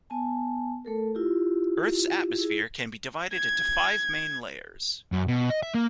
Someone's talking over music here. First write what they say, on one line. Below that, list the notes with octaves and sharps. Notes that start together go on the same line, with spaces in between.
Earth's atmosphere can be divided into five main layers.
B3 G#5 A5
A3 A4 A#4
E4 F4 G4
E4 G#4
G#6
F#2
B2
D#5
E5
A#3